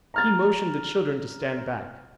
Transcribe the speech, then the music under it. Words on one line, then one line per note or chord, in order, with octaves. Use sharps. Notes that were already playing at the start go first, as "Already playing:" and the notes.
He motioned the children to stand back.
A#5 F6 A6